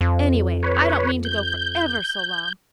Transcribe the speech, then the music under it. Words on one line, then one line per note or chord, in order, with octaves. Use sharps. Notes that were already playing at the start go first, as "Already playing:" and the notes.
Anyway, I don't mean to go for ever so long.
F2
B4 C#5
G6